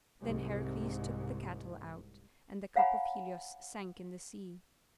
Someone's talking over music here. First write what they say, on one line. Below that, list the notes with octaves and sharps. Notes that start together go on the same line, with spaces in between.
Then Heracles took the cattle out, and the cup of Helios sank in the sea.
C2 G#2
C#5 F5 F#5 G#5 A#5 B5